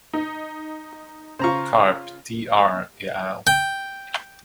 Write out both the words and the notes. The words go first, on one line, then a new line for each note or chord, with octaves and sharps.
Karp D. R. et al.
D#4
C#3 F4 C5 A#5 C#6
G5